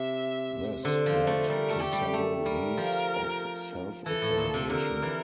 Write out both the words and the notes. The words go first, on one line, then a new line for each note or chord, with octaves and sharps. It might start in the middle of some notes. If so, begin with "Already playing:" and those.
This led to several weeks of self-examination.
Already playing: C3 E5
D3 C5
F3
A3
G3 A#4
A3
G4
G3
A3
G3 A#4
F3
E3 A4
A2
A#2
C3
D3 A#4
E3